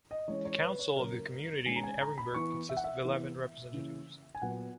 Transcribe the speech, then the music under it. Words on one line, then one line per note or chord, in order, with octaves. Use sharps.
The Council of the community in Ehrenburg consist of eleven representatives.
D#5
E3 G#3 C#4 C#5
C#5
B4
C#5
C#3 F#3 A#3 C#4 A#4
D#3 G#3 C#4 G#5
A#5
G#5
A#5
B5
E3 B3 C#6
E5
F#5
E5
E3 B3
C#3 E3 A#3 C#4
G#5
A#2 F#3 B3 F#5